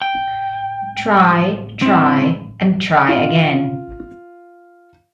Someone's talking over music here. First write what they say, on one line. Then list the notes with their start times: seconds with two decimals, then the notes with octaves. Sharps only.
Try, try, and try again.
0.02 G5
1.82 C4 E4
3.08 F4 F5